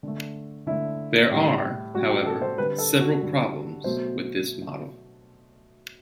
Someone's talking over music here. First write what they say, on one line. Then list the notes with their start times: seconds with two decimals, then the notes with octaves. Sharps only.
There are, however, several problems with this model.
0.03 D3 A3
0.67 D3 A3 E4
1.31 A2 G3
1.95 A2 G3 F#4
2.10 G4
2.26 A4
2.42 C5
2.58 D3 G3 B4
2.78 A4
3.01 F#4
3.21 D3 G3
3.84 B2 F#3 A3 C5